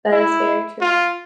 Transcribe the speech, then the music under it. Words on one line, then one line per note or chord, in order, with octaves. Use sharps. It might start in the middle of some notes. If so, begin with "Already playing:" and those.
That is very true.
E4
F4